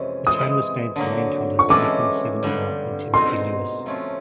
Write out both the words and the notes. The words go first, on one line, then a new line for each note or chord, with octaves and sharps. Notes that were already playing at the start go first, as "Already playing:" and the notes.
The town was named for landholders Nathan, Sevignior and Timothy Lewis.
Already playing: F2 C3 E3 G#3 C#4
E3 G#3 C4 D#6
D3 F#3 A#3
C#6
E3 G#3 C#4 F#4 A4 D6
G2 D3 G3
B2 G#3 C4 D#4 C6
F3 A3 C#4 F4